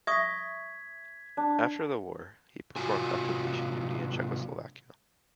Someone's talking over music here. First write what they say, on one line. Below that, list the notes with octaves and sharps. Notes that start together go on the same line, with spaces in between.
After the war he performed occupation duty in Czechoslovakia.
E5 C#6 D#6 G#6 B6
D4
G#2 C3 F4 F#4 G#5